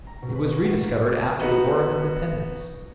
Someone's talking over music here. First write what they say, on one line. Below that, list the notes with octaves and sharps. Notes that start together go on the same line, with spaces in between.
It was rediscovered after the War of Independence.
A#5
B2
B4
C#6
F#5
A#3
B3 D#4 F#4 B4